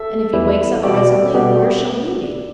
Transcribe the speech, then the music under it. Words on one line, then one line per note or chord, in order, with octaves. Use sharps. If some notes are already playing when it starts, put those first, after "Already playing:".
And if he wakes up presently, where shall we be?
Already playing: A4 E5
E2 E3 G3 E4
B2 G3 B3 G4 D5
B2 G3 B3 G4